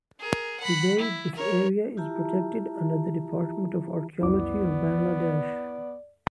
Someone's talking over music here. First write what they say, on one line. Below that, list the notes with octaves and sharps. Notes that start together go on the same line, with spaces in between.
Today this area is protected under the Department of Archaeology of Bangladesh.
G#4 A#4
F#5 B5
E4
A#4 C#5
E4 F4 G4 E5 A5 A#5
C#2 F#2 G3 B3 E4 D5 D6